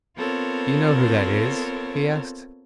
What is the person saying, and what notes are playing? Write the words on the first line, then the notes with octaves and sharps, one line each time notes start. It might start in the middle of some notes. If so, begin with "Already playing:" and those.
"Do you know who that is?" he asked.
B3 C4 F4 A4 A#4 C#5